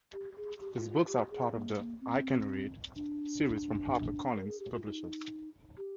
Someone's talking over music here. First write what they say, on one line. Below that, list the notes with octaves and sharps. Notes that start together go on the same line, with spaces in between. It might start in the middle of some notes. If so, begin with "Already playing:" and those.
His books are part of the, "I Can Read" series from HarperCollins publishers.
G4
G#4
G4
F4
F4
G4
G#4
A#3
A#3
C4
D4
A#4
G#4
G4
F4
D#4
G4